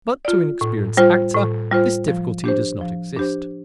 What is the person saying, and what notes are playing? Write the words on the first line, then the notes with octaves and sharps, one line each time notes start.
But to an experienced actor this difficulty does not exist.
F4 D5
A2
G3 F4 C5
A2
G3 F4 C5
F3
D4 G4 C5
F3
D4 G4 C5